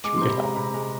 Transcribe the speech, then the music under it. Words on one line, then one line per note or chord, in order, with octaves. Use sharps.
Treat yourself.
G#3 D6
C3 C6
B5
G#3 A#5
C3 B5
G#3 A#5